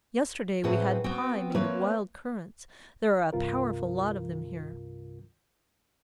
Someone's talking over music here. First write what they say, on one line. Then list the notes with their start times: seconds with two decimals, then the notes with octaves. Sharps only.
Yesterday we had pie made of wild currants; there are a powerful lot of them here.
0.64 A2 A3 C4 G#4 B4 F#5
1.04 B3 C4 F#4 G5
1.55 A3 A#3 C4 B4 C#5
3.33 C2 G2 C3 F4 A#4